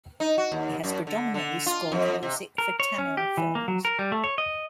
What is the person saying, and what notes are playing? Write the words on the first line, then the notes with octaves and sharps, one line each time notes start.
He has predominantly scored music for Tamil films.
D#4
F#4
D#2
F#2
D3
D3
F4
F2
C3
A#4
C#5
C#4
G4
E3
A#3
F#3
A#4
G3
A3
C#5
D#5